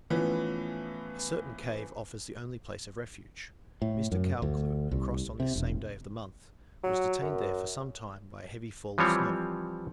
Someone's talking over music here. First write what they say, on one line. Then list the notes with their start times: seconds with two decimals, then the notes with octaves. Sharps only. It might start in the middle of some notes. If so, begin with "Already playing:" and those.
A certain cave offers the only place of refuge: Mr. Caldcleugh, who crossed on this same day of the month, was detained there for some time by a heavy fall of snow.
0.10 A2 E3 F3 B3 C#4
3.82 A2
4.12 F#2
4.42 D2
4.91 C2
5.40 C3
5.56 E1
6.83 F#3
7.22 F#2
8.98 E3 F3 G3 C4 C#5